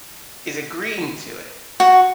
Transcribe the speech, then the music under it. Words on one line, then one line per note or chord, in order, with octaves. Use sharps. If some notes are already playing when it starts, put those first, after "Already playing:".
is agreeing to it,
F#4